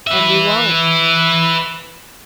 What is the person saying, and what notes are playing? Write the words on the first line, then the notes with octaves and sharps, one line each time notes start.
And we won't.
B4 E5